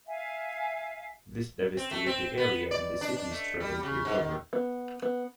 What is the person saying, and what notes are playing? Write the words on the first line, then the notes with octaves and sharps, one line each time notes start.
This devastated the area and the city struggled to recover.
E5 F5 G#5
C4
A3
C4
B3
D5
D4
D4
A3
G3
C#3
G#2
D#3
B3
B3